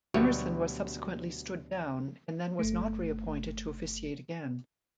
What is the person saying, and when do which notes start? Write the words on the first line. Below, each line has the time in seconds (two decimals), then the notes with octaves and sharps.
Emerson was subsequently stood down, and then was not reappointed to officiate again.
0.14 D2 B2 F#3 G3 C#5
2.59 G1 A3